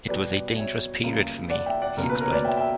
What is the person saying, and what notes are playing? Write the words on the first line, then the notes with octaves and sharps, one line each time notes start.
"It was a dangerous period for me," he explained.
B2 G3 B3 B4 D5
B4 D5
C#5 E5
C#2 C#3 G3 A#3
D5 F#5
E5 G5
D5 F#5
C#2 B2 A#3 A#4
B4
A#4 C#5
B4 D5
E5 G5
E5 G5